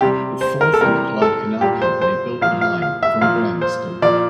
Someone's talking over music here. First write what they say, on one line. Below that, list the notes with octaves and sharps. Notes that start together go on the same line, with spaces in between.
The Forth and Clyde Canal company built the line, from Grahamston.
C3 G3 G4
C5
A#4
A4
C3 E3 G3 A#4
A4
A#2 G3 G4
C5
C5
A#2 F3 F5
F5
F5
E5
A#2 F3 F5
C5
A#2 F3 D5